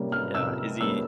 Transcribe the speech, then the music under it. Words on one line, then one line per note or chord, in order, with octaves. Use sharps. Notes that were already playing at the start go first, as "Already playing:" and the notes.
Yeah. Is he
Already playing: C3 G3 A#3 C#4
F6
C3 E6
G3 A#3 C#4 E6